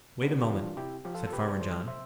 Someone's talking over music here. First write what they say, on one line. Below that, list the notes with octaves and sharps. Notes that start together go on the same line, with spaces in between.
"Wait a moment," said Farmer John.
C3 B3 D4
G4
E3 G3 D4 F4
C3 E4 G4
F3 G4
F4 A4
A4
C3 G4 B4
D5
E3 G3 A4 C5
C3 C5 E5